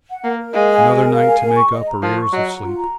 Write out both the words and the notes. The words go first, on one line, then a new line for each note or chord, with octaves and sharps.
Another night to make up arrears of sleep.
F#5
A#3 A#4
A#4
G#3 F5
G#5
A#4
A#4
F5
G#5
A#4
C#6
D#5
A#5
F3 A#4
C#6
F#3 D#5
A#5
F4
A#5